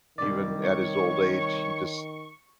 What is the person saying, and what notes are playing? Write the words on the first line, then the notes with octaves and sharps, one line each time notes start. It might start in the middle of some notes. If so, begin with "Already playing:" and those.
even at his old age, he just
C2 D#3 D5
C#5 C#6